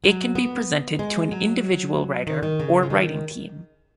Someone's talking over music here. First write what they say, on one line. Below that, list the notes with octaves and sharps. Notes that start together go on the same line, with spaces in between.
It can be presented to an individual writer or writing team.
F#3
B3
G#3
F#3
D#3
D#3
C#3
F3
D#3